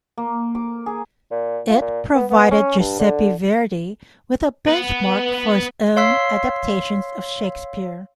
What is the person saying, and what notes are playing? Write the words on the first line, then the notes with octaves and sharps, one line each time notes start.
It provided Giuseppe Verdi with a benchmark for his own adaptations of Shakespeare.
A#3
D6
G#4
A#2
F4
A#2
B3
B3
C#4
G2
D3
B3 B4
C#5 F5 C6 E6 B6 C7